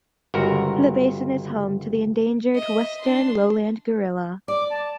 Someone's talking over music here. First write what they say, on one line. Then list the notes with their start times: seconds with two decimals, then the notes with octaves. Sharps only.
The basin is home to the endangered western lowland gorilla.
0.34 G1 C#2 F#4 A#4 A#5
2.55 D#5 E5
3.00 D4 C6
4.48 D5 D6
4.70 A5